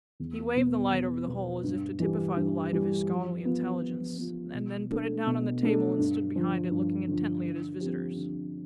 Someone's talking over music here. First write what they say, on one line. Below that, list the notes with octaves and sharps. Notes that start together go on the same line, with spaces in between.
He waved the light over the whole, as if to typify the light of his scholarly intelligence, and then put it down on the table and stood behind it looking intently at his visitors.
E2
B2 B3
E2
B2 B3
G2
E3 G3
G2
E3 G3
F3
B3 F4
F3
B3 F4
B2
A3 D4 A4
B2
A3 D4 A4
G2
D3 F3
G2
D3 F3
D3
F3 C4 G4
D3